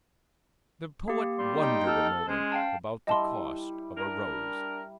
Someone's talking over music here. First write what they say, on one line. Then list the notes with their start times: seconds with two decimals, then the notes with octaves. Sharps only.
The poet wondered a moment about the cost of a rose.
1.08 A#3 G4
1.38 G3 C6
1.60 D#4 G5
1.87 A4 F6
2.28 G#3 C#4 C5
2.52 F5 G5 A5
3.07 G3 E4 D#5 A5 C6
3.98 D4 A#4